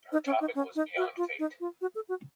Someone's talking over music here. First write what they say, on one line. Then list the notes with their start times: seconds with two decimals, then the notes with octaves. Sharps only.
Her topic was Beyond Fate.
0.12 D#4
0.26 C#4
0.40 D#4
0.55 C#4
0.75 D#4
0.97 F#4
1.17 F4
1.39 D#4
1.60 F4
1.81 F#4
1.95 A4
2.09 F#4